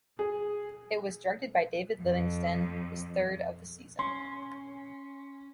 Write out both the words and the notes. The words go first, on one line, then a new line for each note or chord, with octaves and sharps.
It was directed by David Livingston, his third of the season.
G#4
F2
C#4 C6